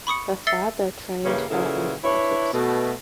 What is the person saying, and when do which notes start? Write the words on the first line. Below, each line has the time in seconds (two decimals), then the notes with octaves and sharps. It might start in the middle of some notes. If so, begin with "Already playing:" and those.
Her father trained her in politics.
0.07 B5 C#6 D#6 C#7
0.47 E5 E6 A6 C7 C#7 G7
1.24 G2 C#3 E3 G3 A#3 C#4
1.50 A#2 C#3 E3 F#3 E4 A4
2.04 D4 E4 B4 C#5
2.53 B2 A3 B3